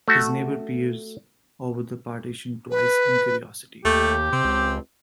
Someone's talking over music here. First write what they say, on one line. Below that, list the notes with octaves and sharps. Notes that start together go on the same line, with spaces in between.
His neighbor peers over the partition twice in curiosity.
A3 F#4
B4
D#2 A3 G4
C3 C4
C#2